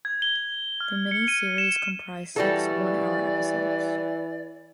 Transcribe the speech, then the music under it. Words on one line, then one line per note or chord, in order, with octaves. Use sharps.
The miniseries comprised six one-hour episodes.
G#6
G7
F6
C#7
D#7
E7
E3 G3 F#4 A4 D5